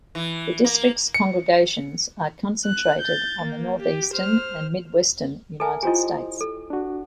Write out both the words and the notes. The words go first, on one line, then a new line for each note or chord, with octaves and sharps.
The district's congregations are concentrated in the Northeastern and Midwestern United States.
E3
A#3
C#7
F#6
G6 A6
A#3
G4
C5 F6
A4 A#4 E5 G#5 A5
E4 F4 G4 C5 D#5 G#5
A4
D4 F#4